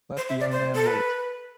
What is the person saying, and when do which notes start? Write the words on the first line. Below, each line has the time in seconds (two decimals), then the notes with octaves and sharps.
Let the young man wait.
0.17 C5
0.29 E5
0.40 D5
0.52 C5
0.75 A4
0.87 B4